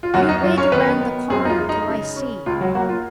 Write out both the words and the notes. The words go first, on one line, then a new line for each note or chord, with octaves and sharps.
"You wait around the corner till I see."
F4
F#2 F#3 F#4
D#4
F#3 F4
C#4 C#5
D#3 B3 B4
B3
F#2 G#3 G#4
D#4
F4
G#3
D#4
C#3
C#4
C#2 F4
F#3 F#4
F#3 A#3 F#4
F4